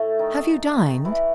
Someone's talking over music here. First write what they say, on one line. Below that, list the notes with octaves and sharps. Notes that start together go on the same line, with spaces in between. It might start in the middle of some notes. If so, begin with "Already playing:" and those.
'Have you dined?
Already playing: A2 A3
D#3
E3